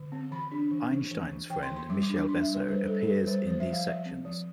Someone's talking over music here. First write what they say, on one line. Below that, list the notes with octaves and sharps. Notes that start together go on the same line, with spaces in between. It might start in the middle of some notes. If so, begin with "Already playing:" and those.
Einstein's friend, Michele Besso, appears in these sections.
Already playing: D3
C4
E3 B5
D4
E3
E3
E3
E3
E3 G5
C6
E3
C6
G3 D6
D6
D4
D6
D4 C6
E5
G3
B4
G3 C5
G3 A4
A4
G3 B4
G3 C5
F3 C5
E5
F3
F5
F3 E5
C4
F3